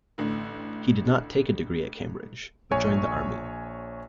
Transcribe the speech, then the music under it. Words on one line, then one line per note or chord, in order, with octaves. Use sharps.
He did not take a degree at Cambridge, but joined the Army.
A1 A2 D3
A#1 C#5 G#5 C#6